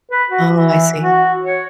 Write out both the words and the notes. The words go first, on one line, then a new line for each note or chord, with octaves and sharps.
Oh, I see.
B4
F#4
E3
F#4
C#5